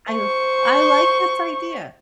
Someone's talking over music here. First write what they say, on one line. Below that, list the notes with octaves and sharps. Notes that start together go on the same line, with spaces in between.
I I like this idea.
C5 C#6